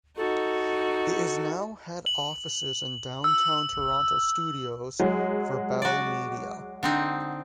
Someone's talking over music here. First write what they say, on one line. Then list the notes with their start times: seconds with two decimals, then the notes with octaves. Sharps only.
It is now head offices and downtown Toronto studios for Bell Media.
0.17 D#4 F#4 A4
2.06 F#7
3.24 E6
4.99 F#3 G#3
5.82 F#4 D5
6.83 D3 C4 D#4